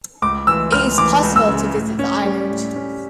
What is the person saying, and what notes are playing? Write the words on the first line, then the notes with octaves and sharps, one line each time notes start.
It is possible to visit the island.
C#2 D6
E3 E6
C#2 F6
E3 D6
C#2
E6
C#3
A2
C#4
G3
A2
C#4